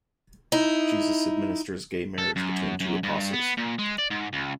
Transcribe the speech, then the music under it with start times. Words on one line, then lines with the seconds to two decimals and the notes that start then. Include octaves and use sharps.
Jesus administers gay marriage between two apostles.
0.52 D#4 E4
2.18 A4
2.36 F#2
2.80 F#2
3.03 G2
3.33 B3
3.58 A#2
3.79 G#3
3.99 D5
4.11 G#2
4.33 C#2